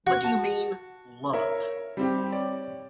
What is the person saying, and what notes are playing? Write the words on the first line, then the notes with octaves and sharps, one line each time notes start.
What do you mean 'love'?
F#4
A5
A#4 C#5 E5
G3 C4 G4
C#5 D5